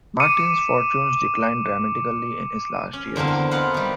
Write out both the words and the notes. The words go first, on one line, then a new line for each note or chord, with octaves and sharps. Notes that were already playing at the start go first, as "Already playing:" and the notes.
Martin's fortunes declined dramatically in his last years.
D6 C#7 D#7
C#4
E2 D3 E3 A#3 C4
F#4
F4 B4 D5 D#5 F5 F#5
D#3 G3